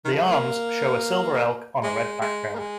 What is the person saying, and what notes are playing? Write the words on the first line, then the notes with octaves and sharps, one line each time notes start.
The arms show a silver elk on a red background.
D#3
F3
G#3
A#3
G#3
G#3
A#3
G#3